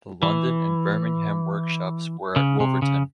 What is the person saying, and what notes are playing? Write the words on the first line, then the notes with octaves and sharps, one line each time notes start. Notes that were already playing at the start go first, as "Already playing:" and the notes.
The London and Birmingham workshops were at Wolverton.
E3
C#3
C3
C#3